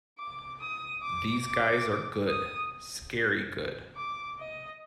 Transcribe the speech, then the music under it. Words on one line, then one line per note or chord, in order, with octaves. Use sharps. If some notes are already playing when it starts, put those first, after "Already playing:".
These guys are good, scary good!
D6
D#6
D6
D6
D#6
D6
D#5